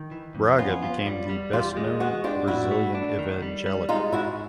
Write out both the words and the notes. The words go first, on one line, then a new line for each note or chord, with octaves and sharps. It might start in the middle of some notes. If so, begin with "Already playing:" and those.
Braga became the best known Brazilian evangelical.
Already playing: D#3
E3
F2
B3 C#4 F4
F4
G3
G3
E2 F4 G4
G#3
B3 F#4 G#4
D4 F4 G4
A2 E4 F#4
A3
D4
D#3
G3
G3
G#3 D#4 F4
G#2 E4 F#4